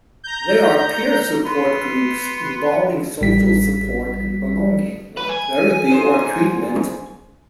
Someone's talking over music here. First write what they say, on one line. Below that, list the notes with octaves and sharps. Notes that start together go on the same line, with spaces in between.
They are peer support groups, involving social support and belonging, not therapy or treatment.
A#5 G6
B3 C6
A1 G3 B6
B4
G#5
G#2 C5